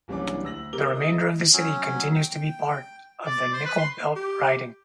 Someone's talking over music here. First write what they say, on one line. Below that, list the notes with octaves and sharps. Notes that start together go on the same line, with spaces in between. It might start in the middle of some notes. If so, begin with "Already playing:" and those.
The remainder of the city continues to be part of the Nickel Belt riding.
F#1 C2 E3 C#4 D4 D6
D2 E6 A#6 F#7
C3 A#4 D6 G7
E4 D#5 D#6
F#3 C#4
G5
D5
C5
B4
C6
G4